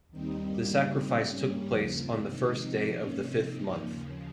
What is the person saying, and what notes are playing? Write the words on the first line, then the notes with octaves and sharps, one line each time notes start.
The sacrifice took place on the first day of the fifth month.
D#2 D#3 G3 C4 D#4
G2 D#3 G3 A#3
C#3 G3 C4 D#4
G#2 G3 C#4
G2 G3 A#3 C#4
D#2 C#3 F3 A#3
G2 F3 C4
C3 D#3 G#3 D#4
C3 F3 C4 D#4
G#2 D#3 A#3 C#4
C3 F3 C4 D#4
G2 F3 A#3 D#4
D#2 C#3 F3